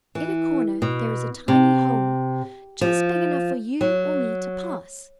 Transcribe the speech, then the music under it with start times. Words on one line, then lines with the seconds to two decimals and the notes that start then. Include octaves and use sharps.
In a corner there is a tiny hole, just big enough for you or me to pass.
0.15 E3
0.82 B2
1.48 C3
2.81 F3
3.81 F#3